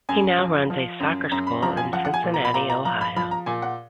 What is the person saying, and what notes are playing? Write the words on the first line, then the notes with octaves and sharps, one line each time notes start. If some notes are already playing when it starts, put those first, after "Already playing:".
He now runs a soccer school in Cincinnati, Ohio.
F#2 G#5
F3
F3
F#2
F#2 A#5
B5
F3 A#5
G#5
F3 F#5
F#5
G#5
A#2
A#5
B5
A#2 A#5
A#5
F3 A#5
B5
F3 B5
A#5
A#2 G#5
F#5